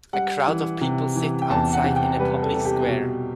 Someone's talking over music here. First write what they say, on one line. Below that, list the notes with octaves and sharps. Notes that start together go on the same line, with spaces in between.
A crowd of people sit outside in a public square.
G3 F#5
E3
C3
E3
G5
E2 A5
F#5
C3
G5
G3 B4
A4
C3
G4
B2